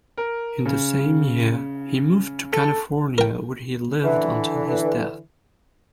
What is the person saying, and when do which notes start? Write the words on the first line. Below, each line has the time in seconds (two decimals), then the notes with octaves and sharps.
In the same year he moved to California, where he lived until his death.
0.17 A#4
0.65 C#3
2.52 A4
3.18 A#4 G5
4.04 D3 E3